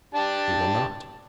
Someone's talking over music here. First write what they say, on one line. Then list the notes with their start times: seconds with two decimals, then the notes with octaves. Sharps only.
He will not.
0.15 D4 G4 A5